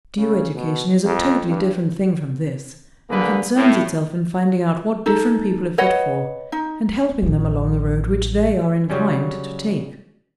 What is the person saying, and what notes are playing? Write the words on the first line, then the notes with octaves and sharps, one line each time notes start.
Due education is a totally different thing from this, and concerns itself in finding out what different people are fit for, and helping them along the road which they are inclined to take.
C#3
B2
F2
G2
D3 A#3 G#4 B4
A2
D#4 A4
B4 C#5 D#5 F#5
D#4
A1 F3
C#3 F#3 G3 C#4